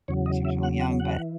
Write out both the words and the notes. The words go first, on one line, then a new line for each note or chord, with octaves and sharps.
she was really young, but,
E2 C#3 F#3 C#5
D#5
E5
F#5
F#5
F#5
E3